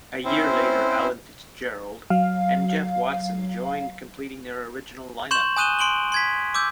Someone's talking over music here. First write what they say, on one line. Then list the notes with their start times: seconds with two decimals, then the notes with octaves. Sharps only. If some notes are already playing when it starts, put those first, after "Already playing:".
A year later Alan Fitzgerald and Jeff Watson joined completing their original lineup.
0.25 C4 C#4 E4 C5
2.10 F#3 F5
5.31 C6 C#6 G6 E7 F#7
5.56 G#5 D#6 F#6 D#7 E7 G7
5.79 C6 D7 F#7 G7
6.12 C6 G#6 B6
6.54 D6 E6 G6